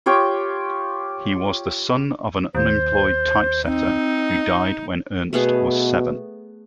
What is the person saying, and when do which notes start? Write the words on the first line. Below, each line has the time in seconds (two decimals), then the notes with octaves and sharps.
He was the son of an unemployed typesetter, who died when Ernst was seven.
0.06 F4 G4 C#5 G5
2.55 D#2 C5
3.66 C4 D#4
5.33 B2 A3 B3 G#4